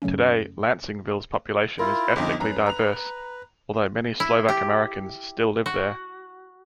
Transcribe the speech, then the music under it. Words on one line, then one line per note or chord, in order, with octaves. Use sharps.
Today, Lansingville's population is ethnically diverse, although many Slovak-Americans still live there.
F#2 C#3 F#3 A3 C#4
E4 F4 A#4
G1 F2 D#4 F4 D#5 D6
F#2 B4 A#5
A#5 F7
E4
G4
F#4